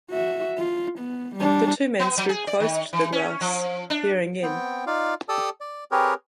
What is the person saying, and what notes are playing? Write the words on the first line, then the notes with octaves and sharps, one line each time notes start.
The two men stood close to the glass, peering in.
F#4 E5
F4
B3
G3 D4
B3
F#3
G#4
D5
D#3
E3
C#4
F3
D4
B3 C4 G5
D#4 F4 D5 F5
G4 A4 D5 A5 D#6 E6
D5
C4 G4 G#4 A#4 B4 C#5